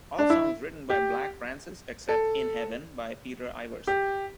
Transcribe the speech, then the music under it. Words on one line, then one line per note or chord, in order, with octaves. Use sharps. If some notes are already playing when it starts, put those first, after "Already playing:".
All songs written by Black Francis, except "In Heaven" by Peter Ivers.
D4
E4
G4
A4
G4